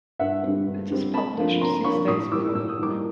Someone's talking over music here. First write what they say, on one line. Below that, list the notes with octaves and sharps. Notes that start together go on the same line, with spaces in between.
It is published six days per week.
G2 E5 F#5
D3 G3 C4
G2
D3 G3 C4
C3 A5 B5
F3 A#3 D4 F4
C3 A#5 C6
F3 A#3 D4 F4 B5 C#6
A2 C#6 D#6
E3 G3 A#3 D#4 D6 E6
A2 E6
D#6
E3 G3 A#3 D#4 D6